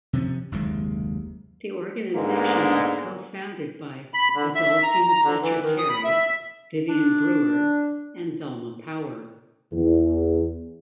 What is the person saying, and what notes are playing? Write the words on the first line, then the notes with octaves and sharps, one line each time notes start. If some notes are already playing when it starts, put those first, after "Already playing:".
The organization was co-founded by Adolphine Fletcher Terry, Vivion Brewer, and Velma Powell.
C3 F3 C#4
F#1 D#2 C3 G#3
G#2 D3 G#3 A#3 B3
B5
D3
E5
A#5
A#5
D3
E3
D#3
D#6
B5
E5
D4
E2